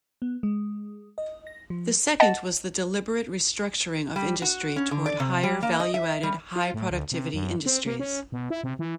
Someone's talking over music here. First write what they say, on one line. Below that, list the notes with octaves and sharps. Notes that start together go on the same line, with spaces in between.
The second was the deliberate restructuring of industry toward higher value-added, high productivity industries.
B3
G#3
D#5
A#6
F3
D#5 F#5 A5 A6
G3
F#4
C#4
D3
D5
C3
G3
A#3
D#5
E5
G3
F4
A2
D2
C3
F#2
C4
A#3
C#4
B2
E4
C3
E3